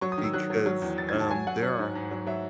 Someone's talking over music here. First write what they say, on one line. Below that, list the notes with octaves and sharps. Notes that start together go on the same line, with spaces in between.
Because, um, there are
F#3 C#6
D#6
D#3
E6
F#3 F#6
F#3
F#3
E2
E2 A6
G#6
D#3
A5
F#3 G#5
F#3 F#5
F#3
G#2
G#2
F#3
F#3 E5